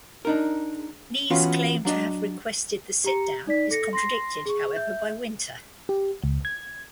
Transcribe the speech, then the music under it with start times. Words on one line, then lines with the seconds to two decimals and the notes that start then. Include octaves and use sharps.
Nee's claim to have requested the sit-down is contradicted, however, by Winter.
0.25 D4 D#4 A#4
1.30 E3 B3 C#4 F4 F#4
1.85 F#3 D4 D#5
3.04 G4 A#5 C#7
3.47 D#4 D5 B6
3.71 A4 A#6 C#7
3.93 C6 A#6 C7
4.46 G#4 C#6
4.76 E5 G6
5.89 G4
6.24 C#2
6.45 G#6